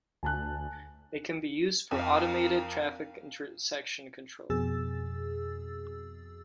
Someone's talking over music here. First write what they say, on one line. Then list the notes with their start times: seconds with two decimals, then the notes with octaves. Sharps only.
It can be used for automated traffic intersection control.
0.23 D2 G#5 A5 F#6
1.91 F2 A#4 F5
4.50 F2 B2 G#4 E6 A6